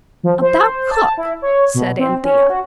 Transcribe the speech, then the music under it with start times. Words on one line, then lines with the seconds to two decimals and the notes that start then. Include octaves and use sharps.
'About cook,' said Anthea.
0.23 F3
0.42 C5
0.91 A5
1.17 E4
1.42 C#5
1.74 B2
1.99 C4
2.23 C#4
2.50 F#4